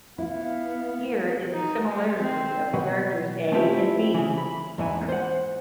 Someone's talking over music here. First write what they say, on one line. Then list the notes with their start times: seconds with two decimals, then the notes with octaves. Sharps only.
Here, is the similarity of characters "a" and "b".
0.18 B3 E4 F5
1.53 D#4
1.83 G#3
2.18 C4
2.73 B2 F#3 B4
3.52 A3 C4 C#4 E4 F4 G4
4.14 C#3 E3
4.38 B5
4.78 E2 G#2 E3 G#5
5.09 C5 F#5